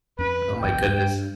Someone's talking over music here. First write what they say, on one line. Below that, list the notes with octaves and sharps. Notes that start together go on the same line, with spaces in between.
Oh my goodness.
F2 C#4 B4
F1 B1 E2 G5
G2